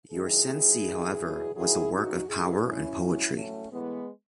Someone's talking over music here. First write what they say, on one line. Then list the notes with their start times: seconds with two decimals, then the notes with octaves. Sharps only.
Your "Cenci", however, was a work of power and poetry.
0.11 G#2 D#3 F#3 E4 G#4
0.48 D#2 D#3 F#3
0.84 E2 D#3 F#3
1.20 E2 B2 F#3
1.55 G#2 D#3 F#3 E4 G#4
1.92 E2 C#3 E3 D#4 F#4
2.28 F#2 C#3 E3 E4 G#4
2.64 F#2 E3 C#4 E4
3.00 G#2 F#3
3.35 A2 F#3 A3 C#4
3.71 A2 E3 G#3 B3